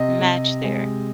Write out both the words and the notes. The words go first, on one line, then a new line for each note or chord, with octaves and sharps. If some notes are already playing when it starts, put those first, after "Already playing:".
match there.
Already playing: C3 D#5
C3
G#3